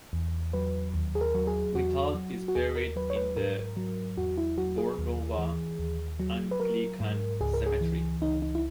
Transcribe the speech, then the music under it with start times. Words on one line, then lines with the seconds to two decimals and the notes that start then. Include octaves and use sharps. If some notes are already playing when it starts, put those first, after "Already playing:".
Whittall is buried in the Bornova Anglican Cemetery.
0.13 E2
0.53 F#3 B4
0.94 D#2
1.15 G#4
1.21 A#4
1.35 F#3
1.47 G#4
1.75 E2 F#4
2.15 F#3
2.48 F#4
2.55 D#2 G#4
2.76 A#4
2.96 F#3 B4
3.10 C#5
3.16 B4
3.37 G#2 A#4
3.77 F#3
4.17 E2 F#4
4.38 E4
4.58 F#3 F#4
4.78 G#4
4.98 D#2
5.38 E3
5.79 D#2
6.20 F#3
6.51 B4
6.60 F#3 A#4
7.00 G#2
7.41 C#2 G#4
7.54 A#4
7.66 G#4
7.81 E3
8.21 C#2 D#4
8.42 D#4
8.55 E4